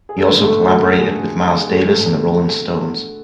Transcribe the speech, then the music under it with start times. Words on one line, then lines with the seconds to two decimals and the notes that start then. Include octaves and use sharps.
He also collaborated with Miles Davis and the Rolling Stones.
0.09 G#4
0.18 A4
0.27 D3 A3 B3 B4
0.45 A3 A4
0.62 F#4
0.80 F#4
0.98 G#4
1.08 A4
1.18 G#4
1.62 G#4
1.68 A3 A4